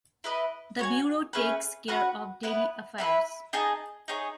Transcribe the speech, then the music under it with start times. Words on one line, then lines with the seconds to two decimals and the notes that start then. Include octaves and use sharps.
The Bureau takes care of daily affairs.
0.24 E4 B4 D#5
0.79 F#4 C#5 G#5
1.33 A3 C#4 G#4 B4
1.88 C#4 F#4 B4 F#5
2.43 B3 E4 B4
2.98 E4 B4 E5
3.53 D#4 G#4 D#5 A5
4.08 D#4 G#4 C#5